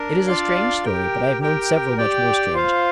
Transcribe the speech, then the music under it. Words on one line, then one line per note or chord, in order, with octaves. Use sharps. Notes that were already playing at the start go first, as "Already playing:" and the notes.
It is a strange story; but I have known several much more strange.
Already playing: D4 A#4
D4 F4 D5 F5
G4 A#4 G5
G4 A#4 G5
G4 D5 G5
F4 C5 F5